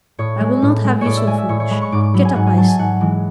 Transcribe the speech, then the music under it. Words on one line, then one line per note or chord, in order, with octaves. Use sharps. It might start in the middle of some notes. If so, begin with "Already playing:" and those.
I will not have you so foolish. Get up, I say.
A2 C#5
G#3
A2
G#3
A2 C#5 D5
E5
G#3 G#5
E5
A2 C#5
C#5
G#3 B5
C#6
G#2 D6
D6
F#3 B5
G#5
G#2 F#5
G#5
F#3 A5
G#5
G#2 F#5
E3 G#3